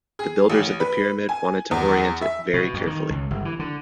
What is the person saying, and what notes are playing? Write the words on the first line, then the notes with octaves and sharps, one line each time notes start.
The builders of the Pyramid wanted to orient it very carefully.
G#4
A1
B4
G#5
E2
E5
B2
F2
D#3
C#2
G1
E3
D3